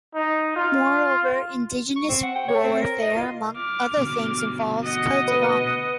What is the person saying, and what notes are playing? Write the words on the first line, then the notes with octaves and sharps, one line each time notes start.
Moreover, indigenous warfare, among other things, involves codes of honor.
D#4
F4
C#6
C4
F#5
G5
C#5
C4
A#4
D#5
F4
D6 F6
B2 D3
D#5 F#5
B4